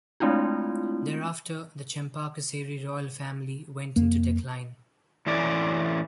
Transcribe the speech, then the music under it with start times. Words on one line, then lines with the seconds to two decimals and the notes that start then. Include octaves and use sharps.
Thereafter, the Chempakasseri royal family went into decline.
0.20 G#3 A3 C4 D4 E4 F4
3.96 F2 A#3
5.27 A2 E3 C#4 D5